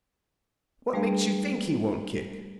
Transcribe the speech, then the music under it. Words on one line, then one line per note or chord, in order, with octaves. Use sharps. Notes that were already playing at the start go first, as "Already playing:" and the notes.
"What makes you think he won't kick?"
G3 A3 D4 G#4 B4 F5